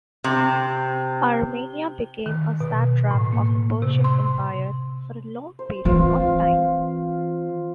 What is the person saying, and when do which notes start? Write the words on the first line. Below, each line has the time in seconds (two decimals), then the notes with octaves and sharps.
Armenia became a satrap of the Persian Empire for a long period of time.
0.24 C3
2.26 D#3
2.61 B2
3.11 A2
3.32 A#3
3.82 C3
4.04 C6
5.59 C5
5.85 E3 C4 F4 F5